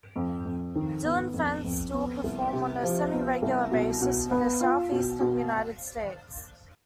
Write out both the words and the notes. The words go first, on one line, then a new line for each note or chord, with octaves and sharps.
Dillon Fence still perform on a semi-regular basis in the Southeastern United States.
F2
F2
D#3
B3
F2
F2
B3
C2
C3
F3
B3
C2
B2
B2
B3
F4
B2
B2